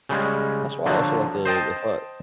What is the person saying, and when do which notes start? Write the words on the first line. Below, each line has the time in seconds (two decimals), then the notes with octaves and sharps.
That's why I also like to to fi
0.09 C#3 G3 G#3
0.86 D3 F3 F#3
1.45 C5 D#5 G5 A5